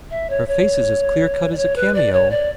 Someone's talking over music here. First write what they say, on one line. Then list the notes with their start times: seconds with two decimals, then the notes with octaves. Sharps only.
Her face is as clear-cut as a cameo.
0.11 E5
0.30 C#5
0.48 C#5
1.52 D5
1.57 C#5
1.76 B4
1.95 D5
2.13 C#5
2.30 D5